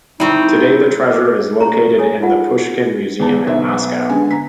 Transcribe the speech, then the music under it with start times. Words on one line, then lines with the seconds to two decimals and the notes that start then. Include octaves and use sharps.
Today the treasure is located in the Pushkin Museum in Moscow.
0.20 G3 C4 D#4 E4 C#6
1.12 A4 B4 D#5 D6
1.60 C#4 C5 A#5 C#6
1.98 A4 C#5 G#5
2.22 D#4 F4 G#4 F#5
3.20 E2 B3 A5
3.47 B1 C5 E5
4.10 D3 G#3 G#5
4.31 A#5 B6